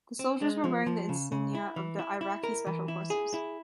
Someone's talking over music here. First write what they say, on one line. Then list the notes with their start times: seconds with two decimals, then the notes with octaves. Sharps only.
The soldiers were wearing the insignia of the Iraqi Special Forces.
0.19 C4
0.42 G#3
0.64 F3
0.86 F3
1.09 C#3
1.32 C#3
1.55 E4
1.76 E3
1.99 E4
2.21 E4
2.44 A#4
2.67 E3
2.88 E4
3.10 G#4
3.34 E4